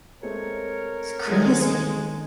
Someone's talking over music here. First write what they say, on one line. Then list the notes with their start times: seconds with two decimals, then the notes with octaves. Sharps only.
it's crazy.
0.23 G#3 A3 C4 A#4 C#5
1.28 D#3 G#3 A3